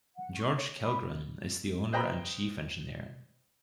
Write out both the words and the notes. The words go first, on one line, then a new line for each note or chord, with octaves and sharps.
George Kellgren is the owner and Chief Engineer.
F#5
C#6
C#5
B5
B4 C5 D#5 G5 A#5 B5